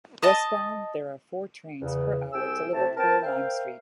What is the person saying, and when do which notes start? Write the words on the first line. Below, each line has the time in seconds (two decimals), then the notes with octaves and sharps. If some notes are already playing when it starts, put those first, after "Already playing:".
Westbound, there are four trains per hour to Liverpool Lime Street.
0.22 D#5 A5 D#6
1.82 E2 C#3
2.33 C2 C3 G#4 G5 E6
2.74 C3 A3 C4 E4 A5
2.97 B3 C4 A#4 G5 A5
3.23 A#4 C5 E5 F5 G5